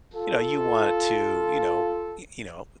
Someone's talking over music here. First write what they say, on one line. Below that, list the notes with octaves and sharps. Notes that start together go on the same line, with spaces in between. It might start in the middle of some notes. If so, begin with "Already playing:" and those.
you know, you want to, you know y you know,
F4 A4